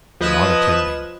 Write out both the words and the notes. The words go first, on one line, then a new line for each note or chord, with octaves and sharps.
You're not attending.
F3 B4 D#5 F#6 G#6 E7